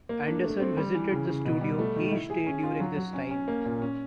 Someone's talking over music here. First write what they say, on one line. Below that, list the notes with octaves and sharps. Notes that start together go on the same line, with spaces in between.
Anderson visited the studio each day during this time.
A#3
D4
A3
C4
G3
E3
C#3
C#3
B2
G3
A3
D#3
E4
G#4
C#4
F4
F#3
F#3
C#4
C#4
A#3
A#2
C#4